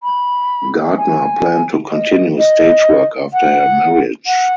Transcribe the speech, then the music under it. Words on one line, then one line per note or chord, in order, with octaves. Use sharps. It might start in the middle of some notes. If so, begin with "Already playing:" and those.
Gardner planned to continue stage work after her marriage.
B5
G#5
D#5
D#5
F#5
F#5